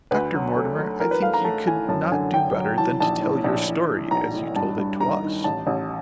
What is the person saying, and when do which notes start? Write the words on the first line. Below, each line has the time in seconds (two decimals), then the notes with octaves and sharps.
"Dr. Mortimer, I think you could not do better than to tell your story as you told it to us."
0.11 D2 B4
0.34 F#3
0.56 A3
0.78 F#3
1.00 E3 A#4
1.11 B4
1.22 A3 F5
1.34 A#5
1.45 A3 A5
1.67 E3 G#5
1.89 F#2 A5
2.12 D3 G#5
2.33 D3 G5
2.56 F#3
2.78 E3 A5
3.00 A#1 A5
3.22 A2
3.44 A#1
3.67 E3
3.90 E3
4.11 B1 A#5
4.34 A2
4.56 G2 A5
4.78 G2
5.00 D#3 A#5
5.23 D#3
5.44 A1 A5
5.67 A1